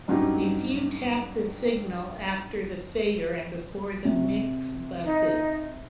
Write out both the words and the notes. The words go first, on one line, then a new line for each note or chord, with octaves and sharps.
A few tap the signal after the fader and before the mix buses.
G2 F#3 C#4 D#4 G4
C3
D#4